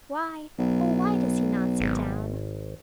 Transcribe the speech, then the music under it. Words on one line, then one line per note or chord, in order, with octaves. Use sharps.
Why, oh, why does he not sit down?
B1
G#1